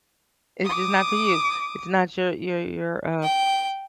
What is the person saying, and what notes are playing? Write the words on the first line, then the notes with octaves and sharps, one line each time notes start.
It's just not for you. It's not your your your, uh
D6 D#6
G5